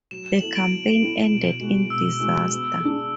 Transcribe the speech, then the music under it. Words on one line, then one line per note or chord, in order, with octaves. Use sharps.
The campaign ended in disaster.
F#3 E7
E7
B3 E4 A4 F#7
D7
F#3
B3 E4 A4
B2
G#3 B3 F#4
B2 E6
G#3 B3 F#4
B3
D4 G#4